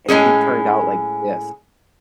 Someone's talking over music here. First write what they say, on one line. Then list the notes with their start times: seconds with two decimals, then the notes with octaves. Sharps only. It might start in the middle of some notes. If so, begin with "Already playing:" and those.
And he turned out like this.
0.08 A2 G#3 C#4 G#4